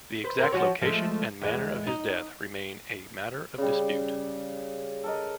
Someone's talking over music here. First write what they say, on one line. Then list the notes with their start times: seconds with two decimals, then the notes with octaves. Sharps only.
The exact location and manner of his death remain a matter of dispute.
0.24 B4 C5
0.39 C4 A#4
0.52 F3 F#4 C#5
0.81 F3 G#3 A3
1.41 E2 G#3
1.87 D#4
3.58 C#3 G3
5.04 A4 A#4 D#5